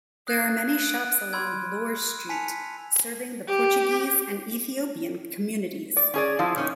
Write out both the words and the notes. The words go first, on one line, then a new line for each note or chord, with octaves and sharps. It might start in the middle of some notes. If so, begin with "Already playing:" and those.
There are many shops along Bloor Street serving the Portuguese and Ethiopian communities.
D#6 F#6 G#6 A6
F#6 D7 D#7
B5 C6 E6 F6 G#6 D7
G#5 A5 B6 C#7 D#7 F7
G4
D5
C#4 G#4 D5
F3 C4 E4
A#2 C#4 D#4